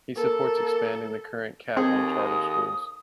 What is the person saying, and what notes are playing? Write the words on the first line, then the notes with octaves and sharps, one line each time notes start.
He supports expanding the current cap on charter schools.
A#3 A4 A#4
D#2 C4 D#4 G#4 A4 D#6